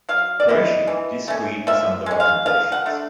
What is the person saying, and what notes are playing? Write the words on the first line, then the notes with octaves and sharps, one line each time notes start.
Qureshi disagreed with some of the recommendations.
F#3 F5
D5
B3 E4 D#5
E3
A3 C#4
F3 E5
G#3 C#4
F5
F3 F5
F#5
A3 D4